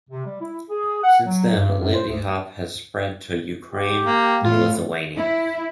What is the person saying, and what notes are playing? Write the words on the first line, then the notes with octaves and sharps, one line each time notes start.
Since then, Lindy Hop has spread to Ukraine and Lithuania.
C3
G3
E4
G#4
F#5
F#3
G2
F#2
C5
D2
G4
A#3
A2 F4
E4